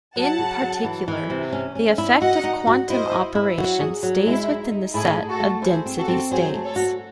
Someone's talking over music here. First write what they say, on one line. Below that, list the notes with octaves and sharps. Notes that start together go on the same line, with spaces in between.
In particular, the effect of quantum operations stays within the set of density states.
F#3 F#5 A5
C#3
F#3
E3
E3
C3
C#4
C#4
E4
F#4 D#5 F#5
D#4
F#4
E4 C5 D#5
E4
E4
F#3 F#4
G#4
F#3
G#3 E4
D#4
D#4
A2 E4 G#4
A3
F#4 A4
A3
E4 G#4 C5
C4
F#4 A4
C4
F#3 G#4 C5
A3
A4 C#5
F#4